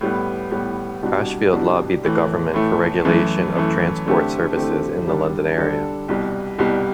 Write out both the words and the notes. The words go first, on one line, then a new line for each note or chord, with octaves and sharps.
Ashfield lobbied the government for regulation of transport services in the London area.
A2 G3 B3
A2 G3 B3
C2 B2 G3 D4 F#4
C2 B2 G3 D4 F#4
A2 E3 A3
A2 E3 A3
F#2 E3 A3
F#2 E3 A3
D3 A3 C4 G4
D3 A3 C4 G4
D3 G3 D4 A4
D3 G3 D4 A4
C2 B2 G3
C2 B2 G3